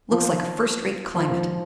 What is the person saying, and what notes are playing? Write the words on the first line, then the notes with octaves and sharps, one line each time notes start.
Looks like a first-rate climate.
F3
F3
F3